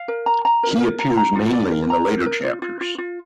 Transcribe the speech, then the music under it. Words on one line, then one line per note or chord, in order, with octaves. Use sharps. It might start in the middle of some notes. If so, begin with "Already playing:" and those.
He appears mainly in the later chapters.
Already playing: F5
A#4
A#5
A#5
A#4
A#4
A#5
A#5
F4
D5
A#4
A#5
A#4
A#4
F4
F4
F4
F4